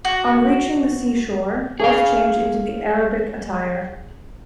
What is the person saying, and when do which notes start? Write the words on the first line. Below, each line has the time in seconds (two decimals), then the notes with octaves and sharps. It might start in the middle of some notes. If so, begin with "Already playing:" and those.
On reaching the sea shore, both change into the Arabic attire.
0.05 F#4
1.80 G#4 F5